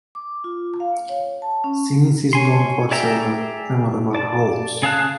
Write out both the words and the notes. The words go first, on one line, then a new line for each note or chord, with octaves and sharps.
Sinise is known for several memorable roles.
D6
F4
F5
C#5
A5
C#4
C#5 G#5 C6
G#4 D5 E5 G5 A#5
D5 A5
C#3 G#4 F5 A5 F#6